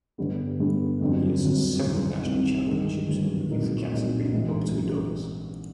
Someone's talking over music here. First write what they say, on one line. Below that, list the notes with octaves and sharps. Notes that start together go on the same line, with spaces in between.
He has several national championships in the youth category up to adults.
G1 G2 D3 G3 B3
G1 G2 D3 G3 B3
G1 F2 D3 F#3
G1 F2 D3 F#3
C2 C3 D#3
C2 C3 D#3
G1 G2 D#3 G#3
G1 G2 D#3 G#3
C2 A#2 F#3 A#3 D#4
C2 A#2 F#3 A#3 D#4
A#1 G#2 E3